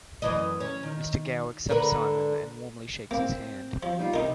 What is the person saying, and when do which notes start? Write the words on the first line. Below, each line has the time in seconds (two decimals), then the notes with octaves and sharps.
Mr. Gao accepts Simon and warmly shakes his hand.
0.22 F#2 E3 D#5
0.60 C#4
0.83 D#3
1.69 D3 A#4 B4
3.11 A#3 C4
3.83 F3
3.99 G3 D#4 F4
4.14 C3 D#4 A#4